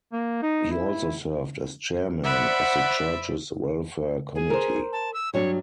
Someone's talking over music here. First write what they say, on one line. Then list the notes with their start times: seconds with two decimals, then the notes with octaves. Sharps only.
He also served as chairman of the church's Welfare Committee.
0.13 A#3
0.43 D#4
0.71 E4
2.24 C5 D5 E5 F#5 B5
4.35 G#4
4.50 A#4 C5
4.93 A5
5.14 E6
5.34 G2 F#3 D4 C#5